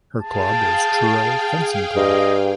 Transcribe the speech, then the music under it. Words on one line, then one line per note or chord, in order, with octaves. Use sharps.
Her club is Truro Fencing Club.
G#4 F5 G5 A5
G2 D#5